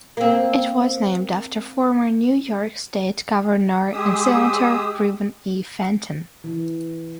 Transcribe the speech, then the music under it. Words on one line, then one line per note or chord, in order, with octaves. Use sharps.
It was named after former New York State governor and senator Reuben E. Fenton.
A#3 C4
G#3 G4 G#4 D#6 E6
E3